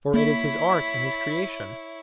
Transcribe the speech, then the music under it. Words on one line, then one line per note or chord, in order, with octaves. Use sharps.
For it is his art and his creation.
A#3 E4 C#5 B5